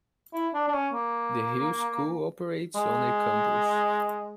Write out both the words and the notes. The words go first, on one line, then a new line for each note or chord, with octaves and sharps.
The Hill School operates on a campus.
E4
D4
D4
C#4
A#3
G#3